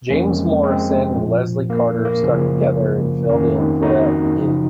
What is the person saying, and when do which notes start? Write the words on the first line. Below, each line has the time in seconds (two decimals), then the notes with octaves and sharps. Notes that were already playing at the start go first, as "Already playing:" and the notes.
James Morrison and Leslie Carter stuck together and filled in for that gig.
0.10 F2 C3 F3 A#3 C#4
0.36 G#3 C4
0.63 G#3 C4
0.90 G#3
1.16 A#2 F3
1.70 A#3
2.05 A#3
2.23 F#2 C#3 F3
3.29 F2 D#3 A#3 C#4
3.55 C4 D#4
3.82 D#4 F#4
4.35 F#2 C#3 F3